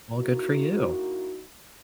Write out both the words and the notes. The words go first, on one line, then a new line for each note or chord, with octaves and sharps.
Well, good for you.
A#3 D#4 E4 F#4